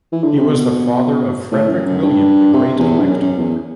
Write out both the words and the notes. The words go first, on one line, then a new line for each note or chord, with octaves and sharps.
He was the father of Frederick William, the "Great Elector".
E3
D3
C3
B2
A2
F#2
F#2
G2
C3
E2
G2
F#2
F#2
E2